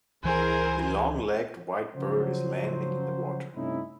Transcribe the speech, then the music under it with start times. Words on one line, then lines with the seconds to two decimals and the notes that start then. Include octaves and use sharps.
A long legged white bird is landing in the water.
0.24 C#2 E3 E4 G#4 A#4 C5 G#5
1.94 C#3 F3 F#3 C5
3.55 G2 C3 A3 C#4 D#4 E4